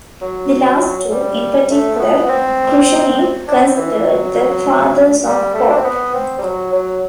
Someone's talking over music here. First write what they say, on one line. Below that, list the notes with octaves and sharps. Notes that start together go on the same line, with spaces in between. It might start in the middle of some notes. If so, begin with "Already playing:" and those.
The last two, in particular, Krushenick considered the fathers of pop.
F#3
G3
A3
A3
B3
B3
C4
D4
C4
E3
E3
F#3
G3
A3
D4
C4
B3
C4
G3
F#3
F#3